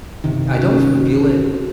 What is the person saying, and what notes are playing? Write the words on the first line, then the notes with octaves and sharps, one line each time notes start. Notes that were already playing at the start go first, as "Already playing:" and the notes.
I don't feel it
G1 C3 D#3
C#4 F#4